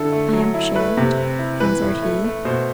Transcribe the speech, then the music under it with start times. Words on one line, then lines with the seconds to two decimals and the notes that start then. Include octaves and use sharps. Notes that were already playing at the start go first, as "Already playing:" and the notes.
"I am shaved," answered he.
Already playing: D3 E4 A4
0.12 A3
0.33 F#3
0.54 E4
0.75 A3 B4
0.97 C3
1.18 C4
1.39 E4
1.60 E3 B4
1.81 A2
2.03 A3
2.24 A3
2.45 B2 C5